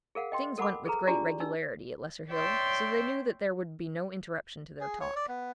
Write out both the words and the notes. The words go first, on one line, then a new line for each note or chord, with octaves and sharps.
Things went with great regularity at Lesser Hill, so they knew that there would be no interruption to their talk.
G#4 A#4 F5 F#5
D#5 G5 C6
A4 A#4 F#5 A5 B5 D6
G#4 A4 B4 A#5
D4 F4 G4 G#4 D5 A#5
D4 D#4 E6
C#5 D5 E5 G5 C6 E6
G#4
C#5
D5
B3